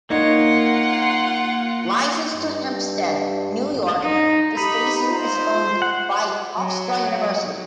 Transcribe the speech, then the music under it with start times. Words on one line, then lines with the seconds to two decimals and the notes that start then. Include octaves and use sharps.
Licensed to Hempstead, New York, the station is owned by Hofstra University.
0.10 A#3 D#4 F4 C#5 F#5
2.38 G2
3.72 A1
4.03 F#2 D#4
4.57 D#4 G4 B5
5.08 F4 C5
5.82 F#5
6.55 F#3